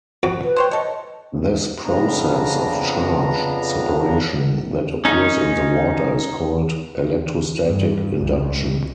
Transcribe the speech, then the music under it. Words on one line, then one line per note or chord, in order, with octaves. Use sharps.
This process of charge separation that occurs in the water is called "electrostatic induction".
F2 F#4
B4
C5 C#5 G5
A4 C#5 D#5
F2 C#3 B3 D4 A#5
C#4 D#4
G2
C#2